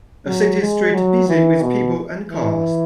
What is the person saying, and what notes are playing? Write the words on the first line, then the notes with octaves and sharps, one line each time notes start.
A city street busy with people and cars.
F#3
G#3
F#3
E3
B2
E3